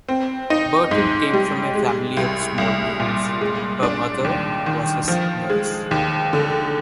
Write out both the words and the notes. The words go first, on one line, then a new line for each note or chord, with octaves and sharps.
Bertin came from a family of small means; her mother was a sick nurse.
C4
D#4
G#2
G3
G#3
C2
C2
A#2
G#3
D4
D#2
D#3
F3
G#3
D#2
D3